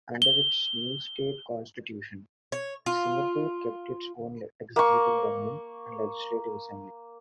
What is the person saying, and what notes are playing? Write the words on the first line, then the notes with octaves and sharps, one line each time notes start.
Under its new State Constitution, Singapore kept its own executive government and legislative assembly.
G7
C#5
F4
A#3 C#6